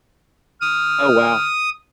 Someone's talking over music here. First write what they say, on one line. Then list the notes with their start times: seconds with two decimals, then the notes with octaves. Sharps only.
oh, wow.
0.61 D#6 F6